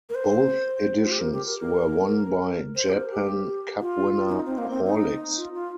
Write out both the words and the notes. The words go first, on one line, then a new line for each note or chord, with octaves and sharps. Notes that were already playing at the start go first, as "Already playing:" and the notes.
Both editions were won by Japan Cup winner Horlicks.
A#4
C5
F4
G4
A#4
G4
A#4
A#4
C5
G4
A#4
G4
F4
C4
D#4
C4
A#3
C4
D#4
F4
F4